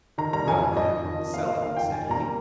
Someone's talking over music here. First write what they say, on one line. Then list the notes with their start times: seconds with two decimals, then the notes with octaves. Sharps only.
"Well then, sell it," said he.
0.18 D#3 A#5
0.33 G3 A#5
0.47 F2 G#5
0.62 F2
0.76 F2 D#5
0.91 F2
1.05 D#3
1.19 F2
1.34 A#3 F5
1.48 A#3 D#5
1.62 D#3 F5
1.77 F2 G5
1.91 D#3 G#5
2.06 G3 A#5
2.20 A#3